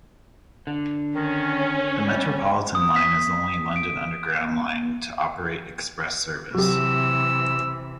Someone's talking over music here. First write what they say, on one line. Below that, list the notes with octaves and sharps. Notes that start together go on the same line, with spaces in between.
The Metropolitan line is the only London Underground line to operate express service.
D3
D#3 C#4
G3
D#6
B6
D7
C3 E3 F#3 F#4 G4 E6